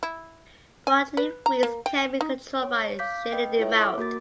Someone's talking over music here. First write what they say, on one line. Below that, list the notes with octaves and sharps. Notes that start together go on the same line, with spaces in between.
Broadleaf weeds can be controlled by shading them out.
E4
G#5
B4
A#5
A#3
G5
D#4
C#5
F5 D6 G6 B6
B4 D#5 G5
E4 F4 A4 C#5 E5
D6
A#3 F#4 A#4 D6 A6